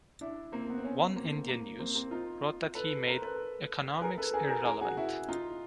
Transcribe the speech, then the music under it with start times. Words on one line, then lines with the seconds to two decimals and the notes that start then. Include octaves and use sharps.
"Oneindia News" wrote that he made "economics irrelevant".
0.21 D4 E4
0.52 A#3 C4
0.69 B3
0.78 C4
0.84 B3 C#4
1.16 A#3 C4
1.48 A#3
1.80 A#3 C4
1.95 A#3 C4
2.11 D#4 F4
2.75 A4 B4
3.06 A#4 C5
3.22 A4 B4
3.94 B4
4.02 G#4 A#4
4.17 A4 B4
4.34 G#4 A#4
4.49 G#4 A#4
4.65 G#4 A#4
4.81 F#4 G#4
4.97 E4 F#4
5.29 D#4 F4